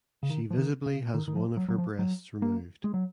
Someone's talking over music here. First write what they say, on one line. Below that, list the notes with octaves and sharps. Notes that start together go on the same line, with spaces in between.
She visibly has one of her breasts removed.
C#3
D#3
F3
D#3
C#3
D#3
D#3
F3
F#3
F#3
F3
F#3
A#3
G#3
F#3